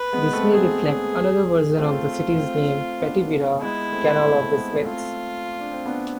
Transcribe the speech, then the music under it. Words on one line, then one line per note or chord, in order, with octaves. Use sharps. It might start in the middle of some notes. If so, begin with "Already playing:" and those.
This may reflect another version of the city's name, Patibira, "Canal of the Smiths".
Already playing: B4
G#3 B3
A3 C4
A3 C4 G#4
A3 C4 F4
A3 C4
B3 D4
G#3 B3 E4
A3 C4
A3 C4
G#3 B3
A3 C4 F4
D4
C4
B3 D4